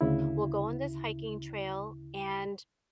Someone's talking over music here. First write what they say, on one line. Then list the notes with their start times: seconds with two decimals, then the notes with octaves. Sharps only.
we'll go on this hiking trail, and
0.01 D2 C#3 E4